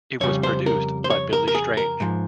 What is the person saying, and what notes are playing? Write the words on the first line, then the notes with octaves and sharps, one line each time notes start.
It was produced by Billy Strange.
F2 C#3 G3 C#5
C5
A#4
C5
C#5
A#4
A#4
G#4
A#4
G#2 F3